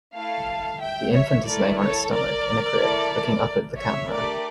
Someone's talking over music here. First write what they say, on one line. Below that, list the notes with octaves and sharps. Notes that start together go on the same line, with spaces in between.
The infant is laying on its stomach, in a crib, looking up at the camera.
A3 E4 A4 F5 A5
E5 G5
C#5 E5
A3 E4 A4 A#4 D5
A4 C#5
A#4 D5
A3 E4 A4
C#5 E5
A3 D4 G4 A#4 D5